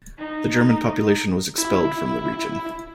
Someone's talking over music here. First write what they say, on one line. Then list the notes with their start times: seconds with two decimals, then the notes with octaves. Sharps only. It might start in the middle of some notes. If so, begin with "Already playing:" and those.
The German population was expelled from the region.
0.18 D#4
1.58 E4